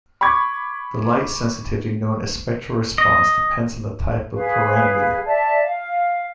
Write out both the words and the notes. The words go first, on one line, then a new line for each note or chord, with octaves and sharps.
The light sensitivity, known as 'spectral response', depends on the type of pyranometer.
B5 C#6 D6 G#6
D#5
G#4 B4 F5
D5 E5 A5
F5